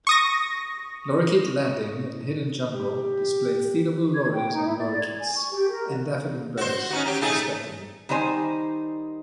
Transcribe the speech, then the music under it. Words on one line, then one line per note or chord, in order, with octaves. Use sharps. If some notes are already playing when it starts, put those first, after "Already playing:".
Lorikeet Landing and Hidden Jungle display feedable Lories and lorikeets, and African birds, respectively.
C#6 D#6 A#6
G4
G#6
G5
D#4
E4
D5
G#6
G#5
C#6
G4
A#4
F#4
F#4 C5
C#4 D#4 F#4
F#3 G4
A3 D#4 G#4
D#3 G3 D#4 C5 G#5